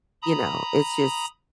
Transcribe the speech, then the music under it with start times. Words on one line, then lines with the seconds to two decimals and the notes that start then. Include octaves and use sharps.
You know, it's just
0.22 A#5 B5 D#6